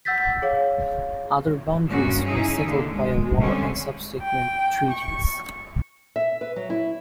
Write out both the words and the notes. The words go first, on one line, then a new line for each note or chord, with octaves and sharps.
Other boundaries were settled by war and subsequent treaties.
F#5 E6 G6 A6 B6
G#4 C#5 F5
G2 C#3 G#3 A#3 C#4 F#4
C#3 C#4 D#4 E4 G#4
D#2 D3
G#3
D3 G3 G#3 C4 C#4
G5
C#6
E5
B4
F#3
E4